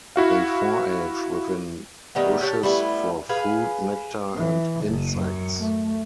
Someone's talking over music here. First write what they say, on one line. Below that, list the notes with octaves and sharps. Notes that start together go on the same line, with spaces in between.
They forage within bushes for fruit, nectar and insects.
E4 F#4 F5
D#3 G3 A3 B3
G4 C#5 F#5 A5
G3 A3 B3 E4
G#4 B4 F5
E3
F#1
F#2
A3